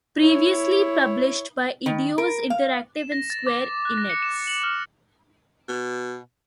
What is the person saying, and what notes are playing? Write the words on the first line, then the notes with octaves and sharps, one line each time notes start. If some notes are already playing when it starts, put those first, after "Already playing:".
Previously published by Eidos Interactive and Square Enix.
E4 C#5
D#3
A#4
F5
E7
A#6
A6
D6
F#6
A#6
C#7
E7
F#7
F6
B2